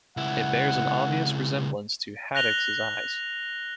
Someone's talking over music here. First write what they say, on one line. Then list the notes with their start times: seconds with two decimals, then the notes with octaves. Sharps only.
It bears an obvious resemblance to Haddocks' Eyes.
0.17 C#2 E4 F#5
2.35 F#6 A#6 F7 G7